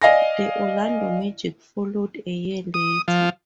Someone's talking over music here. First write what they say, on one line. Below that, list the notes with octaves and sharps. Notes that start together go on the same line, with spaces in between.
The Orlando Magic followed a year later.
D5 D#5 F5 G#5 A#6
D#6
F3